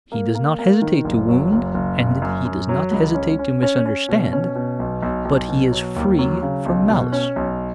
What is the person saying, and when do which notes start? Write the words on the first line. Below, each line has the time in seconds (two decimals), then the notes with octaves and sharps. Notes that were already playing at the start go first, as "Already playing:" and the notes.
He does not hesitate to wound and he does not hesitate to misunderstand, but he is free from malice.
0.12 A#3
0.35 A#3
0.59 A#3
0.82 D#3
1.05 F#1
1.29 F#3
1.52 F#1
1.74 F#1
1.99 F#2
2.22 F#2
2.45 F#2
2.69 F#3
2.91 C#2
3.15 C#4
3.39 C#4
3.63 C#4
3.85 C#4
4.09 B2
4.33 C#4
4.55 B2
4.79 B1
5.02 B1
5.25 B1
5.49 B2
5.72 F#3
5.96 D#2
6.19 F#3
6.42 C#3
6.66 B1
6.90 B2
7.12 C#4
7.36 B1